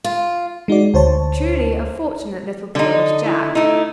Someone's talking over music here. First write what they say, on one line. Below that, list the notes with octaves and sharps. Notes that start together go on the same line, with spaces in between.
Truly a fortunate little boy was Jack!
F4
G#3 D#4 F#4 D5
D2 C5 C#5 A5
D3 D#4
E4
A3 D#4